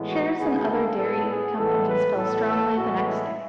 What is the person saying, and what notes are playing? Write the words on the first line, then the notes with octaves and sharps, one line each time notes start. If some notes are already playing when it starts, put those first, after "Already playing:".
Shares in other dairy companies fell strongly the next day.
Already playing: A2 E3 G#3 B3
F#4
D2 C#3 G#3 B3 G#4
A4
A2 G#3 B3 A4
G#4
A2 E3 G#3 B3 A4
B4
A2 E3 B3 A4
A4
A2 E3 G#3 B3 F#4
E4